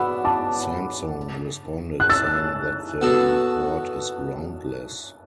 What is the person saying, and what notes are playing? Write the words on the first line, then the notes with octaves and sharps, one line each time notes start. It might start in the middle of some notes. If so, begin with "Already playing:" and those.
Samsung responded, saying that the report is groundless.
Already playing: B3 D4 F#4 F#5 B5 E6
A5 D6
F#6
E6 A6
B3 F#4 A4